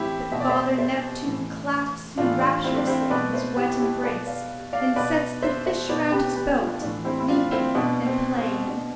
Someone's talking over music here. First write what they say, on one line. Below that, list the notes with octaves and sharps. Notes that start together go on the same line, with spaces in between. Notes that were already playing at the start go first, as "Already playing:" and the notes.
But Father Neptune clasps him rapturously in his wet embrace, and sets the fish around his boat leaping and playing.
Already playing: A2 E3 C4 E4 G4
B2 E5
D5
C5 E5
C5 E5
A2 E3
A2 E3 D4 F4
D4
C4 E4
D4
C4 E4
B2 B4 D5
C5 E5
E4 G4
E4 G4
B2 B4 D5
D5 F5
D5 F5
B2 B4 D5
C5 E5
C5 E5
B2 B4 D5
G4 B4
G4 B4
D4 F4
A2 E3 D4
C4 E4
E4
D4 F4
C4 E4
B2 D4
C4
C4
B2 D4